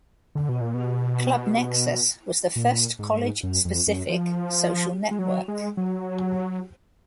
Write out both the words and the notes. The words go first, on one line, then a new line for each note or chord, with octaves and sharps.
Club Nexus was the first college-specific social network.
D3
B2
A#2
B2
A#2
G#2
F#2
F2
F#2
F3
G#3
F#3
G#3
F#3